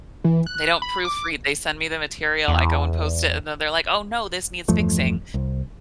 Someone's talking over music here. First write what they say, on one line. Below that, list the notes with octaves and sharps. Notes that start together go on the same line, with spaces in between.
They don't proofread, they send me the material, I go and post it, and then they're like, "Oh, no, this needs fixing,"
E3
F#6
B5
D6
E2
E2 G2 F3 A3
C2